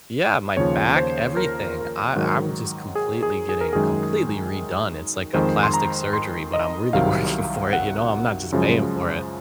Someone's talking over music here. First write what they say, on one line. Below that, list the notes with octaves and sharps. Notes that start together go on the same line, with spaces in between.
Yeah, my back, everything. I I'm just completely getting completely redone. It's like a plastic surgery, but I'm really working for it, you know, I'm not just paying for it.
D#2 C#3 F3 C#5
C5
A#4
G#2 D#3 F#3
G#4
G#4
G#4
A#4
F#2 D#3 G#3 G#4
F2 D#3 G#3 C5
C6
A#5
C6
D#5
C2 C3 D#3 F#3 F5
F#5
F#2 C#3 F3 G#3